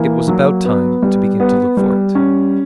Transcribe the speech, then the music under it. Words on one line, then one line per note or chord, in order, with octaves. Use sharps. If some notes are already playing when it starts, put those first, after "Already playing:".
It was about time to begin to look for it.
Already playing: E3 A#3
F#3
B3
G3
B3
G3
C#4